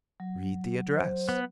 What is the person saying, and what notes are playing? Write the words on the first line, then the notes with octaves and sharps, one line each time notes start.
"Read the address."
F#3
C5
B3